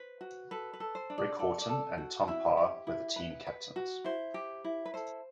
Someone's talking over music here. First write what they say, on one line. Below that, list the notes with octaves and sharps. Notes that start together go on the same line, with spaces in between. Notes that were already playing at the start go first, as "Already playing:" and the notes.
Rick Horton and Tom Parr were the team captains.
Already playing: B4 C5
F#4
A4 B4
B4
A4
C5
D4
D5
A4 D5
D5
A4
F#4
E4 E5
G4
E4
B4
B4
F#4
E4 C5
G4
E4
B4
A4 C5